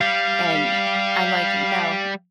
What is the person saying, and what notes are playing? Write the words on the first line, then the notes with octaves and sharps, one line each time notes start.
And, I'm like, "No.
G3 F5